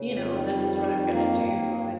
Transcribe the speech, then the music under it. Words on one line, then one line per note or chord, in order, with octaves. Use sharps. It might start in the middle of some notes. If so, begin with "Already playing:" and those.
you know, "This is what I'm gonna do," and
Already playing: C#3
F2
D#3 G3
F2
D#3
F2
D#3 A#3
G2
D#3
G2